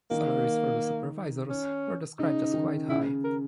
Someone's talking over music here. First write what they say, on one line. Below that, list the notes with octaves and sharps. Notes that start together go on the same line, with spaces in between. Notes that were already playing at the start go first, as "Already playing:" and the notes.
Salaries for the supervisors were described as "quite high".
D#3 A#3
C#4
C#3 D#4
D#3
C#3 E4
A#4